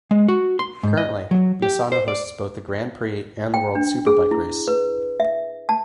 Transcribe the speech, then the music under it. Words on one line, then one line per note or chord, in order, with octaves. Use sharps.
Currently, Misano hosts both the Grand Prix and the World Superbike Race.
G#3
F#4
C6
G#2
D#5
F#3
G4
C5
D5
G5
D4
G#4
E4
B4
E5
A5